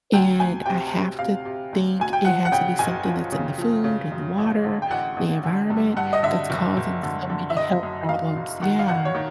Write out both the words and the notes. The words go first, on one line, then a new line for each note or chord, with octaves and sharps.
and I have to think it has to be something that's in the food, in the water, the environment that's causing so many health problems. Yeah.
D2 G5
D2 G#5
C3 G5
C3
C3 F5
C3
D2
D2 G#5
G5
F3 F#5
F#5
C#3 G5
F#1 G#5
F3
C#3
F3
C#3
F#2
A1
D3
G5
A1 F#5
A1
D3
G2
G2 F#5
D#5
D3 E5
F#1
F#1
D3
D3
E5
F#1 D#5
F#2
F#2 F5
F#1
D#3 F#5
F5
G1 F#5
C#5
D#3